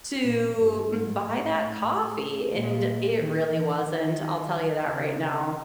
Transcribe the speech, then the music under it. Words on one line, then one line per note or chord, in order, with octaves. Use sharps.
to buy that coffee, and it really wasn't, I'll tell you that right now.
A#2
G2
G#2
A2
A#2
D#3
E3
D#3
C#3